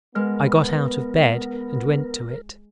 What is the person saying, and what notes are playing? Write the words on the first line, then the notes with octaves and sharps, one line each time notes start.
I got out of bed and went to it.
G#3 B3 A#4